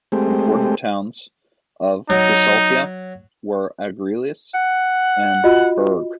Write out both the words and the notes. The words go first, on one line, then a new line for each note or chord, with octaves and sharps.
Important towns of Bisaltia were Argilus and Berge.
G#3 A3 C4 G4
F#3 D#4
F#5
F4 F#4 D#5